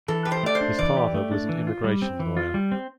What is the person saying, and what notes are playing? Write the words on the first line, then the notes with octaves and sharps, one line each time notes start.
His father was an immigration lawyer.
E3 A4
G4 B4
C5
A3 D5
C5
D4
E3 D5
G4
A3
D4
E3
F4
G3
C4
E3
F4
G3
C4